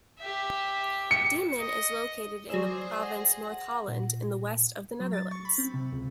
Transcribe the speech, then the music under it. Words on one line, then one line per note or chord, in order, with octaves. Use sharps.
Diemen is located in the province North Holland, in the west of the Netherlands.
G4 E5
C#7
D#5
F#3 G#4 C5 D5 E6
F#5 A#6
A#2
F#3
A6
C#6
B5
C4
C3
C#2